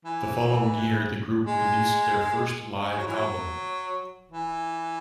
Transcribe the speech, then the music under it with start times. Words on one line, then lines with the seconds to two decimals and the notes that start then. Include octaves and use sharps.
The following year, the group released their first live album.
0.05 E3
1.47 G#3
2.90 G#3
2.99 F#3
3.06 E3
3.15 F#3
4.32 E3